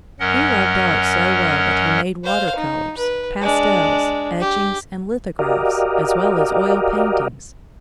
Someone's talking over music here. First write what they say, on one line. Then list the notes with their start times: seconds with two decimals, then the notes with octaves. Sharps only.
He loved art so well that he made water-colors, pastels, etchings, and lithographs, as well as oil paintings.
0.20 F#2 F#3 C#4 A#4 D#5 F#5
2.24 C5 F5
2.56 D#4
2.98 B4
3.41 G#3 D4
4.40 G4
5.39 F#4 G4 A#4 D5 D#5 F5